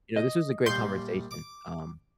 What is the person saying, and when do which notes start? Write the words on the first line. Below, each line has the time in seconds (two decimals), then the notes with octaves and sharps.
you know, this was a great conversation, um,
0.16 D#5
0.66 A#1 G3 C6 G6
1.31 D6